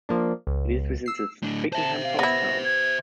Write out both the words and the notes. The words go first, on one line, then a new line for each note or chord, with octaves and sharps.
It is within the Twickenham post town.
F3 A#3 D4
C#2
E6 C7
A2 D4
C5 E5 A5
F5
B3 E4 A#6
G#6